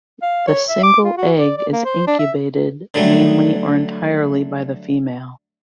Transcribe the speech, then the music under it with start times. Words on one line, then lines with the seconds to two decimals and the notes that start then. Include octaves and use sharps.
The single egg is incubated mainly or entirely by the female.
0.22 F5
0.47 C#5
0.69 E5
0.83 D6
1.04 F4
1.17 F#4
1.38 D5
1.57 D5
1.72 A#3
1.85 C5
2.07 D4
2.19 E5
2.94 D3 F#3 G3 A3